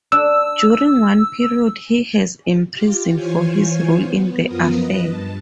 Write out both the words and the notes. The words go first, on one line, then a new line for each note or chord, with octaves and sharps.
During one period he has imprisoned for his role in the affair.
D4 E6
F4 G4
E3 F4 C5 C#5 G#5
B3
F#2 F3 B3 F4 A#4 D#6
B4 D#5
G2 A5